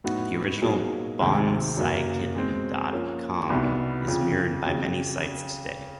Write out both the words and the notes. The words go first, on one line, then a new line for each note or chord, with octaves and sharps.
The original bonsaikitten dot com is mirrored by many sites today.
A2 F#3 B3 D#4 F#4
B2 F#3 A#3 D#4 G#4
D2 C3 D#3 G#3 C4
F#2 C#3 F#3 A#3
B2 G#3 C4
F3 A#3 C#4
C2 B2 G3 B3 D#4
F2 C#3 F3
F2 C#3 F#3